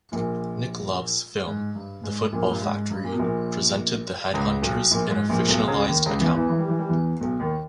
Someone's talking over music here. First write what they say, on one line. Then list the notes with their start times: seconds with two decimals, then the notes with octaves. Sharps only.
Nick Love's film "The Football Factory" presented the Headhunters in a fictionalised account.
0.12 A#1 A#2
1.47 G#2
1.75 G2
2.04 G#2
2.32 A#1 A#2
2.51 G2
2.61 G#2
2.75 G#2
2.90 G2
3.04 A#2
3.12 B2
3.19 A#1 A#2
4.34 C#2 C#3
4.62 B1 B2
4.91 A#1 A#2
5.10 G#2
5.29 A#1 A#2
5.48 B1 B2
5.68 C#2 C#3
5.86 D#2 D#3
6.06 C#2 C#3
6.20 E2 E3
6.34 E2 E3
6.49 E3
6.59 G3
6.69 E3
6.79 G3
6.89 E2 E3
7.20 B1 B2
7.39 D#2 D#3